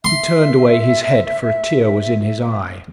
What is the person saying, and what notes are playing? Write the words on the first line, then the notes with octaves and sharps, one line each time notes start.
He turned away his head, for a tear was in his eye.
E5 C6